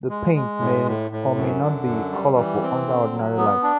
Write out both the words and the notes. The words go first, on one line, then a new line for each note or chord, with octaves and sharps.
The paint may or may not be colorful under ordinary light.
G#3
G#3
A2
A2
A2
F#2
D3
F#2
G3
E3
C4
D3
F#3
B3
D4